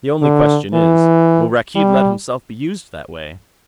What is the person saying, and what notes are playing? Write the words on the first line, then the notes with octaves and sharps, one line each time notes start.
The only question is, will Rakkeed let himself be used that way?
D3
E3
G3